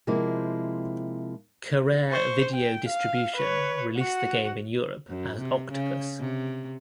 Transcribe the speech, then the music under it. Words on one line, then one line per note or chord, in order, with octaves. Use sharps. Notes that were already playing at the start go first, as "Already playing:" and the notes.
Carrere Video Distribution released the game in Europe as Octopus.
C3 F3 G#3 A#3 E4
C5 C#6
G5
F5
B4 C#5
F#4 F#5
F#2
C3
C#3
C3